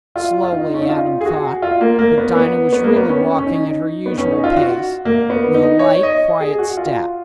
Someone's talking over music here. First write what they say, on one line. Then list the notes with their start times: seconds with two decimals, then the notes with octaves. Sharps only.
Slowly, Adam thought, but Dinah was really walking at her usual pace, with a light quiet step.
0.16 F4
0.43 F4
0.52 D#4
0.74 C#4
0.82 D#4
0.89 F4
1.21 G#4
1.26 F#4
1.62 F4
1.81 A#3
1.99 A#3
2.18 B3
2.35 B3
2.73 B3
2.84 A#3
2.96 B3
3.09 C#4
3.38 C#4
3.46 D#4
4.06 B3
4.18 C#4
4.31 D#4
4.44 F4
4.57 F#4
5.05 A#3
5.30 B3
5.54 D#4
5.79 C#5
6.03 D#5
6.40 G#4
6.59 F#4
6.77 F4